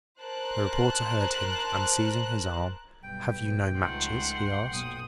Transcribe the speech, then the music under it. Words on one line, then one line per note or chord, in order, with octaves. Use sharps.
The reporter heard him and seizing his arm, "Have you no matches?" he asked.
A#4 C5 A5 F#6
B1 G2 B4 G5
C#2 F3 A3 D#4 F#5 C6
B1 F#2 A#2 D#6